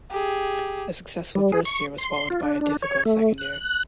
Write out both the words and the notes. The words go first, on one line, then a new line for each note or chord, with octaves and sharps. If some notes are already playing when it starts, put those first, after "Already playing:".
A successful first year was followed by a difficult second year.
G4 G#4
G3
G#4
C#6
C6
F4
D4
D4
C#5
A3
F#6